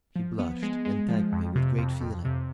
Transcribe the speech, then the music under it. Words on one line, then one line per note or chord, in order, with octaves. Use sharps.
She blushed, and thanked me with great feeling.
F3
B3
G#3
G#3
F3
F2
C3
F2
F2
C3